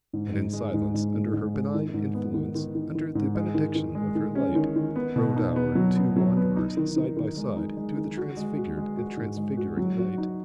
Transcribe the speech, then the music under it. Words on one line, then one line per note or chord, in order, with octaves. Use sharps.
And in silence under her benign influence, under the benediction of her light, rode our two wanderers side by side through the transfigured and transfiguring night.
G#2
G#2
G#3
G#2
G#2
G#2
G#2
G#3
D#3
G#2
B3
D#3
D#3
D#3
D#3
G#2
G#3
D#3
D#3
G#3
D#3
C#4
D#3
D#3
B3
B2
D#4
B3
F#3
B3
F#3
B3
D#4
D#3
D#3
D#3
G#3
D#4
G#3
D#3
F#4
G#3
F#4
G#3
F#4
G#2
G#3
F#4
F#3
F#4
D#4